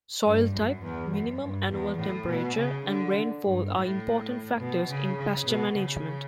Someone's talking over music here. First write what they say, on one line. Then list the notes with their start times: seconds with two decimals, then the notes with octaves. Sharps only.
Soil type, minimum annual temperature, and rainfall are important factors in pasture management.
0.24 G2
0.53 F#2
0.82 E2
1.11 F#2
1.40 G2
1.69 E2
1.98 A2
2.28 B2
2.56 C#3
2.86 D3
3.44 G2
3.73 A2
4.59 B2
4.89 C#3
5.17 C#3
5.46 B2
5.75 C#3